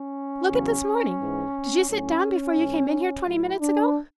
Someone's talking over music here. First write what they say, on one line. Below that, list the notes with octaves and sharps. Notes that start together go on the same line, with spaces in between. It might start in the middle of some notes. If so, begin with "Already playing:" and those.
"Look at this morning--did you sit down before you came in here twenty minutes ago?"
Already playing: C#4
E2 C#3 F#3
G#2 E3
A2 F#3 C#4
G#2 E3
A2 F#3 E4
D4